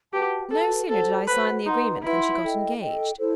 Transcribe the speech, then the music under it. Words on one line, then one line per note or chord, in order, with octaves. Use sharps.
No sooner did I sign the agreement than she got engaged.
F#4 G4 B4 F#5 A5
F#4 A4 B4 F#5 A5
F#4 A4 C5 F#5
F#4 B4 C5 F#5
D#4 B4 F#5 C6
E4 B4 F#5 C6
A4 D#5 G5
A4 D#5 G5
E4 A4 C5